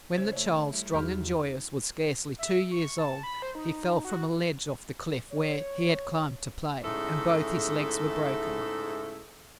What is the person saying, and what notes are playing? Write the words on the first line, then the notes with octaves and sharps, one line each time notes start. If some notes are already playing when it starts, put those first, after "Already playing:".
When the child, strong and joyous, was scarcely two years old, he fell from a ledge off the cliff where he had climbed to play, and both his legs were broken.
C#3 C#4 E4 C5
A3 C#5
G3 E4
E2 F#3 D#4 G#4 F6 G6
E5
C#6
A5
B5
C5
D#4
F#4
C#5
G#2 C#3 A3 E4 A4